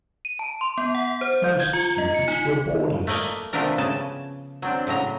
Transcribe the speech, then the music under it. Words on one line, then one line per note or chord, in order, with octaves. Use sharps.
Most students were boarders.
D#7
A5
C6
B3
F#5
C5
G6
G#6
F4
D#5
C#7
D#4
A3 A#3 D5 D#5 F5
C3 F3 A3 B3 D4 A#4
C#3 G#5 A5
F#3 C4 D4
A2 C#3 F#3 A#5